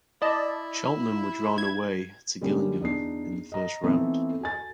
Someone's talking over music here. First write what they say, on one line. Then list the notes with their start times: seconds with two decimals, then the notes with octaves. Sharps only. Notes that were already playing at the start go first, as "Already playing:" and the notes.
Cheltenham were drawn away to Gillingham in the first round.
0.22 E4 D5 D#5 A5
1.58 G#6
2.41 D3 G3 A#3 C#4 D#4 G4
2.81 E2 D4 D#4 C7
3.52 D#5 A#5
3.84 E3 A3 B3 C4 D#4
4.40 F#4 A4 G#5 A6